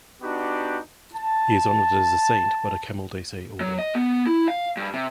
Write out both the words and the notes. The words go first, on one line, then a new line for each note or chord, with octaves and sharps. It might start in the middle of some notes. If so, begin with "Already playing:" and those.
He is honored as a saint by the Camaldolese Order.
B3 D4 D#4 F#4 G4
A5
F#3
D#5
B3
E4
F5
G2
C3